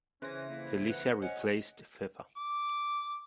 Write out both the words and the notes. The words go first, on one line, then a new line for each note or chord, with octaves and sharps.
Felicia replaced Fefa.
C#3 E3 C#4 C5 A#6
F2 A#3 E4
B4 F#5
C#4 D#5 F#5
D6